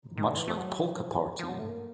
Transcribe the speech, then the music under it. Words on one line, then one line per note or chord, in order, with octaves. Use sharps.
Much like Polka Party!
D#3
D3
E3
A3
F#3
F3
F3
F#3
A3
A#3